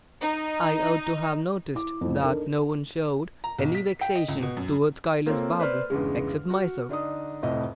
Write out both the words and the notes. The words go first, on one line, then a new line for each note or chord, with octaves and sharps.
I ought to have noticed that no one showed any vexation towards Kailas Babu except myself.
D#4
E4 D6
F2 A2
D4 D#4 A4 A#4
A#5
B1
B6
G5
D#5
C#2
B2
F#2
A#3 C4 F4 A4 C#5
B4 C5 D5 F6
E2 G2 C#3 G#3
F#4
D3 D4 D#4 D#6
F1 F2 A2 D#5